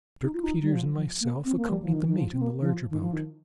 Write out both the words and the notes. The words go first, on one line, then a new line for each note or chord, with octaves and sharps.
Dirk Peters and myself accompanied the mate in the larger boat.
D#4
F4
D#4
G3
F3
F3
A#3
C4
A#3
G3
F3
D#3
D#3
F3
C4
A#3
D#3
F3
D#3
F3
D#3